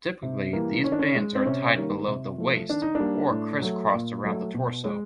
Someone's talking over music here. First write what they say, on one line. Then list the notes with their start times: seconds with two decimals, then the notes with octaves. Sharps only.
Typically these bands are tied below the waist or crisscrossed around the torso.
0.23 C3
0.53 E3 G3 A#3
0.84 D#3 C#4
0.92 D4
0.99 C#4
1.15 G#3
1.35 C4
1.45 C3 C#4
1.76 D#3 G3 A#3
2.07 C3
2.38 F3 A3
2.69 D#3 D4
2.82 D#4
2.95 G3 A#3 D4
3.31 A2
3.62 F#3 A3
3.92 A#2
4.23 F#3 A3
4.54 B2
4.85 G#3